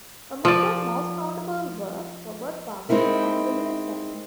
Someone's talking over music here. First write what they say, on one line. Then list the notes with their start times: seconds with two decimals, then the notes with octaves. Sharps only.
Among them most notably were Robert Barclay and William Penn.
0.45 F3 D5
2.89 G#3 C4 D#4 E4 A#4